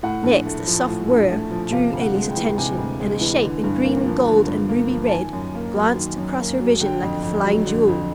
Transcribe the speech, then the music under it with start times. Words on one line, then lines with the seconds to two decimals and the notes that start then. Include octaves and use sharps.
Next a soft whir drew Elly's attention, and a shape in green and gold and ruby-red glanced across her vision like a flying jewel.
0.03 A2 F#5
0.24 A#1
0.46 A3
0.67 F3
0.87 A2
1.10 A#1
1.30 A3
1.51 F3
1.72 C3 F5
1.93 D2
2.01 F#5
2.15 G#3
2.29 G5
2.36 E3
2.58 C3 G#5
2.78 D2
3.00 G#3
3.21 E3
3.42 D3
3.64 G2
3.84 A#3
4.05 F3
4.27 D3
4.48 G2
4.69 A#3
4.91 F3
5.07 A5
5.11 D#3 G#5
5.33 F#2
5.54 A#3
5.75 F#3
5.96 D#3
6.18 F#2
6.39 A#3
6.60 F#3
6.80 D3 G5
7.03 F2
7.23 F2
7.44 F#3
7.66 D3
7.87 F2